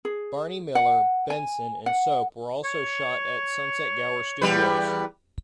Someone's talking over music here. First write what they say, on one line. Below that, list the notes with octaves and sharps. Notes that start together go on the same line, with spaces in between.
"Barney Miller", "Benson" and "Soap" were also shot at Sunset Gower Studios.
G#4
F#5
G#5
F#5
C#5
E2 G3 B4